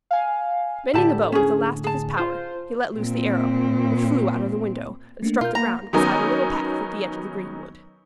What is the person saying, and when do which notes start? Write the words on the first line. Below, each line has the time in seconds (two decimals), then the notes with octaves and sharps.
Bending the bow with the last of his power, he let loose the arrow which flew out of the window and struck the ground beside a little path at the edge of the greenwood.
0.11 F5 G#5
0.94 A2 D3 E4 G4 A5
1.32 C#4 G#4
1.84 G#4 A5
2.17 F4 C5
2.96 A#2 C4
5.23 A3 A#3 D4
5.41 B2 F4 A#4 F6 G6
5.55 A#3 F5 F#5 A#5 B5
5.93 D#3 F#3 B3 C#4 D#4 A#4